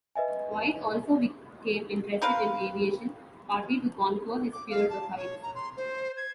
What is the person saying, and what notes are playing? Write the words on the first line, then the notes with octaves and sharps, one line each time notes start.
White also became interested in aviation, partly to conquer his fear of heights.
B4 D#5 E5 G#5
C4 A#4 B4 F5
D6
F5
A5
C#5
A#5
C6
C5
G#6